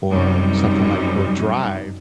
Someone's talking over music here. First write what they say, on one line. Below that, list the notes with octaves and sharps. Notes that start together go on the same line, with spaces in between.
or something like or drive
F#2 C3 G3 D#4